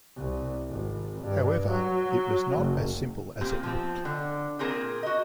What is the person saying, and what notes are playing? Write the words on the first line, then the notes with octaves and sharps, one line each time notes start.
However, it was not as simple as it looked.
C2
G#1
G2
F#3
F#1
A#2 A#3 C4 G4
F3 C4
D3
A#2 C4 G#4 A#4
F#4 D#5